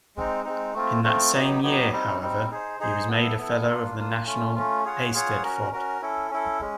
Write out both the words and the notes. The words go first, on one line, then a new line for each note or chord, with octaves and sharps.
In that same year, however, he was made a Fellow of the National Eisteddfod.
G#3 C4 D#4
G#3 C4 D#4
A3 C4 F4
A3 C4 F4
F#3 B3 D#4 G4
F#3 B3 D#4 G4
G3 C4 D#4
G3 C4 D#4
D#4 G#4 C5
D#4 G#4 C5
B3 E4 A4
B3 E4 A4
A#3 D4 F4
A#3 D4 F4
A3 C#4 F4
A3 C#4 F4
F4 G#4 C#5 F#5
F4 G#4 C#5 F#5
C#4 F#4 A#4
C#4 F#4 A#4
C#4 E4 A4
C#4 E4 A4
G#3 C#4